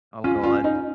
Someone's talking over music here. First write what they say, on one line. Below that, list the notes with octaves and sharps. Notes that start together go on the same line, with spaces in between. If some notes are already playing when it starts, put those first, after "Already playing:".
Oh god.
C#4 F4
F4
D#4